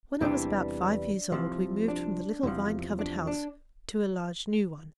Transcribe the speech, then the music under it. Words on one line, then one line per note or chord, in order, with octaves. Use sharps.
When I was about five years old we moved from the little vine-covered house to a large new one.
E2 C3 E3 G3 D4
C2 C3 F3
D4
E2 C3 F3
D4
D4